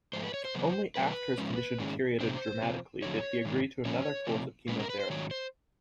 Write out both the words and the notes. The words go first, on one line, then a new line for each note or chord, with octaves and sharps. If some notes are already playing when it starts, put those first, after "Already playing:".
Only after his condition deteriorated dramatically did he agree to another course of chemotherapy.
G#2 F3 A3 C5
B4
C#5
C5
E2 C#3 F#3 B3
B2 F#3 A3 B4
G#2 F3 G#3 C#4
G#2 D#3 G#3 C#4
C3 D#3 F#3 B3 D4 C5
F2 C3 F3
F2 D3 F#3 C#5
G#2 D#3 G#3
G2 D3 F3 C#4 C#5
C3 F3 A3
B2 G#3 C#4 B4
A#4
B4
C5
G#2 D#3 F#3 C#5
C5